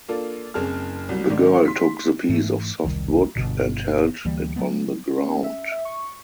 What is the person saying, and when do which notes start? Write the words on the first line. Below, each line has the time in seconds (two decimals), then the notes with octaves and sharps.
The girl took the piece of soft wood and held it on the ground.
0.08 A#3 D4 F4 A4
0.54 F#1 C4 G#4 A5 F6
1.09 C2 F#3 G3
1.29 G#2 D#3 A#3 D4
1.65 C6 B6
2.29 G#2 E3 A3
2.84 E1 C2 D#3 G3
3.36 G1 B2 D3
4.25 D2 E3 G3 A#3
4.56 F#3 G#3 A3 B3
5.17 C#4
5.44 E5
5.72 E5
5.85 C#6